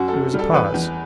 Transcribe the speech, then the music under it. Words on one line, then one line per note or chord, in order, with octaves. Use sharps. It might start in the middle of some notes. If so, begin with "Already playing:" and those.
There was a pause.
Already playing: F#2 F#4
A4
F#2
G3
A4
E2 B4
E2